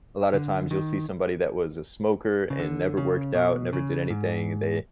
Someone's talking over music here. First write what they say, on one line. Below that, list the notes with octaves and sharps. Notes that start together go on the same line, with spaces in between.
a lot of times, you'll see somebody that was a smoker and never worked out, never did anything. They,
D3
D#3
C#3
D3
C#3
B2
C#3
G#2